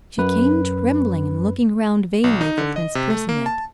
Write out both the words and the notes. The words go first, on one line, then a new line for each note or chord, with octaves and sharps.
She came trembling and looking round vainly for Prince Percinet.
F#2 B4
B1
D#4
D3
D#5
C3
A3
A#3
A5